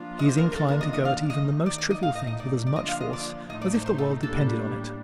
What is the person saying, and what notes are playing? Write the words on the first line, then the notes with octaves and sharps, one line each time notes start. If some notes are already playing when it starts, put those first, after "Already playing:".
He is inclined to go at even the most trivial things with as much force as if the world depended on it.
Already playing: F3 A#3 D4 F4
D#5
C5
A#4
A#4
D#3 A#3 D4 F4 A4
A#4
D#5
D#5
F5
D#3 A3 D#4 D#5
D5
D5
D#5
A2 A3 D#4 F5
D#5
D#5
D5
D5
D3 F3 A#3 D4 F4 D#5
F5
D#5
D5
A2 A3 D#4 D#5
D5
C5
C5
A4
A2 G3 A#3 D4 A4